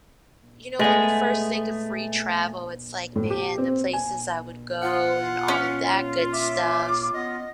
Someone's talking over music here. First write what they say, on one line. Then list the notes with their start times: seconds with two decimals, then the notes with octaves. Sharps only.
you know, when you first think of free travel, it's like, "Man, the places I would go and all of that good stuff,"
0.79 G#3 A3 B3 G#4
3.16 A2
3.30 G4
3.58 C4
3.93 G#5
4.82 F4 F#5
5.48 C#4
6.33 E5 D6
7.14 B3 D#5